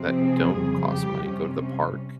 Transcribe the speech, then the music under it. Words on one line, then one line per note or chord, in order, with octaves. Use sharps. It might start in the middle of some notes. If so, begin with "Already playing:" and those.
that don't cost money; go to the park,
Already playing: C3 F3 C4
G#4
F2 C#3 G3
G4
C3 G3 C#4